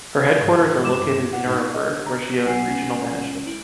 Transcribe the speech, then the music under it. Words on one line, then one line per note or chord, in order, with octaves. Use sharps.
Her headquarters are located in Nuremberg, she owns regional management.
D#2 G#2
G#2 G#3 C4 E4 D6 E7
G2
F#5
G#2
C#6
D#5
D3
A#5
B1 F#5 G#5 C7
C#2
E4 D7 F#7